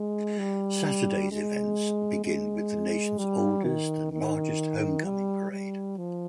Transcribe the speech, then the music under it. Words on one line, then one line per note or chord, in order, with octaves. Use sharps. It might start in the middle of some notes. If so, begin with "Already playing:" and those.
Saturday's events begin with the Nation's oldest and largest Homecoming Parade.
Already playing: G#3
G3
G#3
G#3
G3
D#3
D#3
G3
G3
F3